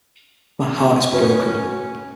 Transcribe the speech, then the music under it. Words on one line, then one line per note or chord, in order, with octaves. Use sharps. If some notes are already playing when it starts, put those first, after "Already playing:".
My heart is broken.
B3 C#4 F#4 B4
C#4